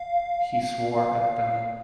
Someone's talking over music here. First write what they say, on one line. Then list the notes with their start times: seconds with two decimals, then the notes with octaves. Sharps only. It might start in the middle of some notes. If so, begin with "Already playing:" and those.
He swore at them.
Already playing: F5